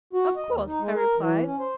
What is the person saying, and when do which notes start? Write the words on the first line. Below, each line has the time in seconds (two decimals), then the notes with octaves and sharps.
'Of course,' I replied.
0.13 F#4
0.36 D#5
0.49 D#2
0.67 D#4
0.80 G#3
0.95 A#4
1.18 E3
1.44 C#4
1.59 C5